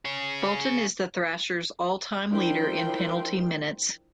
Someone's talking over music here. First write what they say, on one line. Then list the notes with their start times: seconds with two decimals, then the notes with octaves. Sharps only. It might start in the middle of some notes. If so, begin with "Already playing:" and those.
Bolton is the Thrashers' all-time leader in penalty minutes.
0.05 G#4 C#5
2.30 F3 D4 E4 A#4 G5 C6